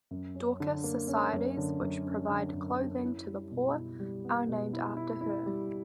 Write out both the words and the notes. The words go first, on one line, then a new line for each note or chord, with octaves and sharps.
Dorcas societies, which provide clothing to the poor, are named after her.
F#2
C#4
D3
A#3
C#4
F#2
D3
F#2
C#4
D3
F#2
C#4
E4
G3
B2
E4
G3
B3
B2
E4
E4
E4
G3